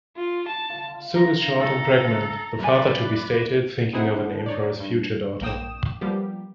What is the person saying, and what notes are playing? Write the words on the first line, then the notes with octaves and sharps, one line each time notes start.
"Sue is short and pregnant", the father-to-be stated, thinking of a name for his future daughter.
F4
A5
A#5
C#2 A4
F#2 B4 D5 G#5
C4 D#4 E4 G#4 C5 F#5
D#4 C#5 D5
G2
A#1 A#3 G5 D#6 E7
F3 G3 A#3 B3 G4